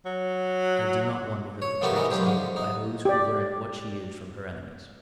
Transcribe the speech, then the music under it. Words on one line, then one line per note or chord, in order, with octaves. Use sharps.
I do not wonder that the Church is hated by those who learn what she is from her enemies.
F#3
C#5
F3 A3 B3 G4 A4 A#4
E3 G3 D#4 A#4
B1 F4 G4 C5
D3 F3
D#4
G4 D5